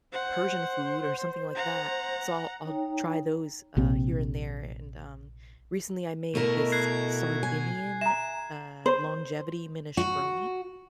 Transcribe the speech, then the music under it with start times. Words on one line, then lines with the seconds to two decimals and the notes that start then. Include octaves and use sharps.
Persian food," or something like that, so I'll I'll try those, uh, here and there. And, um, recently, I made this, Sardinian, uh, longevity minestrone,
0.13 C5 F#5
1.55 F#5 A#5
2.65 D#4 C#5 G5 A#5
3.76 A#1 C3 C4
6.35 B2 A3 E4 A#4
6.72 F#6 G#6 C7
7.43 G#5
8.01 E5 A#5 E7
8.86 C5
9.97 F#4